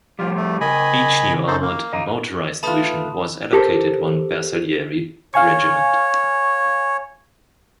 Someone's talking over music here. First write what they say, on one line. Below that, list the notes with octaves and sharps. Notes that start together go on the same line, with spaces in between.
Each new armoured and motorised division was allocated one Bersaglieri regiment.
A2 F3 G3 F4
A3
C#3 A#4 D#5 G#5 B5
D#4 A4 C5
A#3
D#5 F5 A#5
A3 F4 B4 A5 B5 D#6
G4 A4 A#4 C5
C#5 F5 G#5 C#6